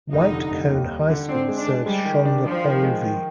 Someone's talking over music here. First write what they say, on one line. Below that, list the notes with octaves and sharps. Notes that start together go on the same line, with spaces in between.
White Cone High School serves Shongopovi.
F1 D#4
D3
F1
D#2
G3
D3
C4 D4
G#3
D4
G#3
G3 G#3
D#3
D4
D#3 F3
D#3
G#3
D#3